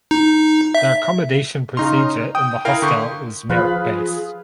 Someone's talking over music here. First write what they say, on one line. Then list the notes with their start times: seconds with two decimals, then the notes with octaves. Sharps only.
The accommodation procedure in the hostel is merit based.
0.11 D#4
0.75 E5
1.77 C#3 D#4 A#5 C6 F6
2.35 G5 D#6
2.65 E4 A#4 F5 G5
2.82 D3 C#6 G6
3.49 F3 F4 G#4 B4 B5